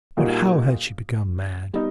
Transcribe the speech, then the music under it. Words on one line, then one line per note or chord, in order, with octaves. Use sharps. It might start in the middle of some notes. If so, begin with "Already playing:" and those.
But how had she become mad?
A#2 G3 A#3 D#4 F#4
G3 B3 D#4